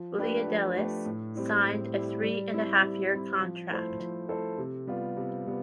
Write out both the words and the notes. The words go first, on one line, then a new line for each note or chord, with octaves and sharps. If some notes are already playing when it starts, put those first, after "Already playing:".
Bleidelis signed a three-and-a-half-year contreact.
Already playing: F3
A3 D4 G4 B4
F3
A3 D4 G4 B4
A2
G3 C4 E4
A2
G3 C4 E4
G3
C4 E4
G3
C4 E4
F3
A3 E4 A4 C5
F3
A3 E4 A4 C5
C3
G3 B3 F4
C3
G3 B3